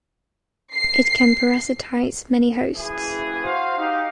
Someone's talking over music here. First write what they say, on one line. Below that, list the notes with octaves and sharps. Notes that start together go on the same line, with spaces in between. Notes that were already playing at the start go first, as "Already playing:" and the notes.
It can parasitize many hosts.
C7
F#1 E3 G#4
F#4 C5 F5
D#4 G4 F5